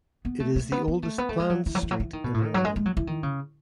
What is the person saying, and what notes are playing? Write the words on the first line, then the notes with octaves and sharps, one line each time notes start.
It is the oldest planned street in Iran.
B3
A3
A3
B3
B3
A3
B3
A3
G#3
F#3
E3
F#3
E3
F#3
E3
D#3
B2
A2
D#3
F#3
G#3
G#3
F#3
E3
D#3
C#3